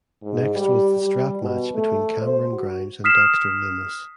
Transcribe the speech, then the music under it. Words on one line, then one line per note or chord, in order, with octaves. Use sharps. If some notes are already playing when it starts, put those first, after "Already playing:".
Next was the strap match between Cameron Grimes and Dexter Lumis.
G#2
G3
G3
B2
A3
C5
F#4
D#6 F6 B6 C7 E7